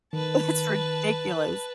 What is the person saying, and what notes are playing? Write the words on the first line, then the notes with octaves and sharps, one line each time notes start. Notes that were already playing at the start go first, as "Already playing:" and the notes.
It's ridiculous.
D#3 B4 A5